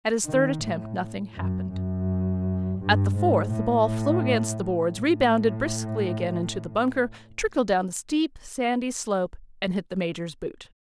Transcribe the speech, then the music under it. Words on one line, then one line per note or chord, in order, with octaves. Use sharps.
At his third attempt nothing happened; at the fourth the ball flew against the boards, rebounded briskly again into the bunker, trickled down the steep, sandy slope and hit the Major's boot.
D#3
A2
F#2
F#2
G2
G#2
A2
A2